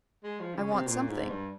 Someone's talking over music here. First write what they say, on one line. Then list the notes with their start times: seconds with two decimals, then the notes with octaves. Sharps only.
I want something.
0.24 G#3
0.40 F3
0.55 C#3
0.72 C3
0.87 A#2
1.08 G#2
1.29 G2